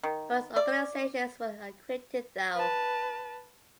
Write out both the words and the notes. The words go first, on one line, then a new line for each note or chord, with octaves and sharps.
Both organizations were acquitted, though.
D#3
D5
B4 A5